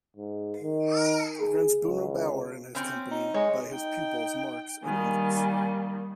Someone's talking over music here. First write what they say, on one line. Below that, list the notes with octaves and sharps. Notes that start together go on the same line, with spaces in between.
Against Bruno Bauer and Company by his pupils, Marx and Engels.
G#2
D#3
G#4
C#2
C4 C#4
D#4
G#3 C#5
D#4 G5
D#3 G3 A#3 G#5